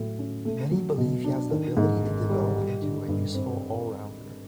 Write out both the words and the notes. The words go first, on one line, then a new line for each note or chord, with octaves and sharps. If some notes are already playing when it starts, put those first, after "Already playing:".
Many believe he has the ability to develop into a useful allrounder.
Already playing: A2 F#3
C#4
A3
F#3
B2
D4
D#3
G#2
G#1
G3
G3
D3
G2
C4